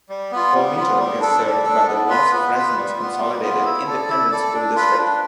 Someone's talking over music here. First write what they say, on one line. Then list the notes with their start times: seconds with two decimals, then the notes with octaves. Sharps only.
Olmito is served by the Los Fresnos Consolidated Independent School District.
0.09 G3
0.32 B3 F4
0.54 G3
0.76 B3 F4
0.98 G3
1.20 D4 A4
1.43 G3
1.65 D4 A4
1.87 B3
2.09 F4 B4
2.31 B3
2.54 F4 B4
2.76 G3
2.98 B3 F4
3.20 G3
3.43 B3 F4
3.65 E4
3.87 A4 D5
4.09 E4
4.31 A4 D5
4.54 D4
4.76 F4 B4
4.98 D4